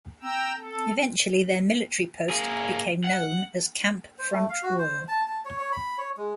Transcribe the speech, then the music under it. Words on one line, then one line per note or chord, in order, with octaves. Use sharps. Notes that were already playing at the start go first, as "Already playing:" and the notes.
Eventually their military post became known as "Camp Front Royal".
C4 G5 A#5 E6
A4
A#3 G#4
F#5
C5
A3
F5
F#4
C5
A5
A5
C#5
C#5
B5
C#5
G#3